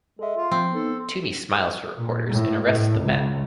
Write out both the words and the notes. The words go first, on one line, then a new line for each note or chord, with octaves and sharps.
Toomey smiles for reporters and arrests the men.
G#3 A4 E5
F4
F3 C4
B3 D#4 A4
A#2
A2
A2
C#2